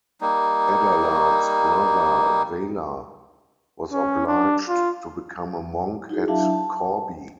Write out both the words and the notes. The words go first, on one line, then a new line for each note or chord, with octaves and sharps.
Adalard's brother Wala was obliged to become a monk at Corbie.
G3 A#3 D#4
C#4
D4
F4
D#4 E4 F#4 G#4
F#3 D4 E4 E5 F5 A5
A5